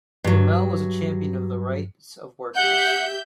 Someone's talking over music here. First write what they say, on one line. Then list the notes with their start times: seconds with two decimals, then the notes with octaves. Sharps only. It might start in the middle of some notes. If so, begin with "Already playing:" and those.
Dehmel was a champion of the rights of workers.
0.24 G2 F#3
2.55 G4 E5 F#5 G6